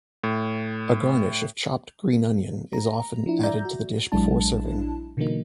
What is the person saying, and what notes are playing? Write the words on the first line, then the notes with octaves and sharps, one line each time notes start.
A garnish of chopped green onion is often added to the dish before serving.
A2
A#5
F3 D4 E4
D5 E5 A#5 G6
F#4
A#1 F#3 G#3 D4 E4 A5
B2 D3 E3 F#3 A#3 D#4